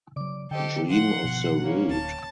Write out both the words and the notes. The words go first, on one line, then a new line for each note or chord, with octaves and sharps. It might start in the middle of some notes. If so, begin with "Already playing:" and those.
Dream of the Rood.
C#3 F#3 D5 D6
D3 G4 A4 C5 D#5 G5
F3 F#5 C6
G1 B2 B3
A#3 C#4
D1 A5